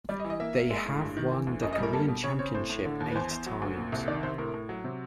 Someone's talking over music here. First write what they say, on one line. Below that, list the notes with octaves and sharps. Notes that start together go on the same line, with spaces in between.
They have won the Korean Championship eight times.
G3 D5
D#5
E3
D#5
A#3 E5
A#3
G#3
A2
G2
D#3
E3
D2
F#2 D#5
D#5
G3 A#4
A#3 A4
B2
C#3 C#5
C4 C#5
A2 C5
A2
D3
D#2
B4
E2 C5
E2
F#3
D2
A#2
C2
D#3 D5
C3 C5
A2 A#4
A2
F#3
C3